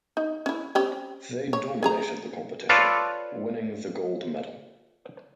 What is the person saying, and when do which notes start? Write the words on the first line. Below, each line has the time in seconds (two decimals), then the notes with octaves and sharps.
They dominated the competition, winning the gold medal.
0.17 D#4
0.46 C#4 E4
0.75 C4 C#4 G4
1.53 C#5
1.83 C#4 G#4 A#5
2.69 F4 A4 B4 C#5 D5 F5